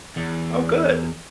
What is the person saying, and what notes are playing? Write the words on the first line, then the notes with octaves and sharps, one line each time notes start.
Oh, good.
E2